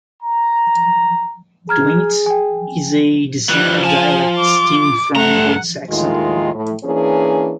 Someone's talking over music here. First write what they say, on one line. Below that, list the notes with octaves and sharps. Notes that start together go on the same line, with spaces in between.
Tweants is a descendant dialect stemming from Old Saxon.
A#5
G#4 A#5 F6 G#6
G5 G#5
E3 F3 G3 F#6
F4 G#5 A5
D6
G2 A3 F#5 A#5
D#2 A2 D#3 G#3 F4
A2
E3 A#3 C#4 D4 G#4